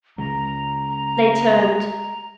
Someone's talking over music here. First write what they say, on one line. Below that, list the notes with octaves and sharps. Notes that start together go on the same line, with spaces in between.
They turned.
C#3 G#3 A#5